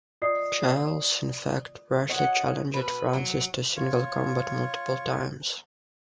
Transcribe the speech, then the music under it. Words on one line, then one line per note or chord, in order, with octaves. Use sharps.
Charles, in fact, brashly challenged Francis to single combat multiple times.
F4 D5 D#5 D#6 C7
F#4 C#5 D#5 F#5
B2 B4
F#3
F4 C#5